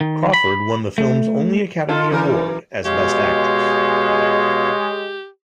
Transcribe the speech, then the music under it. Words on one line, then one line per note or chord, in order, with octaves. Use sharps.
Crawford won the film's only Academy Award, as Best Actress.
D#3
B5
A3
D#4 F4 A4
F#2 E3 A#4
B2 G#3 G4 C#5 F5